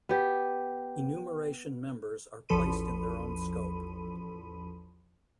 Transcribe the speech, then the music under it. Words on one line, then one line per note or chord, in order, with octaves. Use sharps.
Enumeration members are placed in their own scope.
B3 G4
A1 E2 F3 A4 B5 D#7